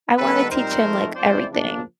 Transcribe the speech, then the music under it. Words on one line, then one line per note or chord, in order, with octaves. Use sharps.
I wanna teach him, like, everything.
D#3 G3 B3 A4 B4
A#2 G3 C4 D#4 A#4 C5
F3 A3 C4 D#4
F3 G#3 C4 E4 C5 D5
C#3 F3 A#3 D4